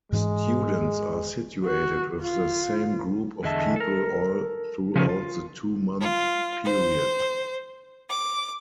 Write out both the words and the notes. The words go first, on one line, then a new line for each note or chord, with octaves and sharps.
Students are situated with the same group of people all throughout the two-month period.
G#2 E3 G#3 D4
F#4
F4
E2 D3 G#4 D#5 E5 A5
A4 A#4
C#3 F3 A3 C#4 G4 G#4
F4
F4
C5
D6